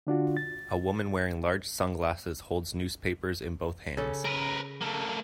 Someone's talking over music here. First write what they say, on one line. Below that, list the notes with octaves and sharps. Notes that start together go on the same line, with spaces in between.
A woman wearing large sunglasses holds newspapers in both hands.
D3 D4 F4 F#4
A6
C#3 C#4 A4
A#4 B4
A3 A#3